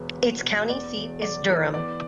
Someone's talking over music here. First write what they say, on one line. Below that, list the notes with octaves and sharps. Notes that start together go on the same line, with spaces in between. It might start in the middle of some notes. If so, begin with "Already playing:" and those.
Its county seat is Durham.
Already playing: E1 E2 B4
E1
B2
E2 D5
E1
E1 D5
E3 A4
E2 D5